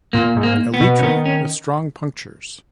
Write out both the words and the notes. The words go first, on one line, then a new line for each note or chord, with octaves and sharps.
Elytra with strong punctures.
A#2 A#3
G#2
A#3
B3
B2
C#4
D#3 B3
C#4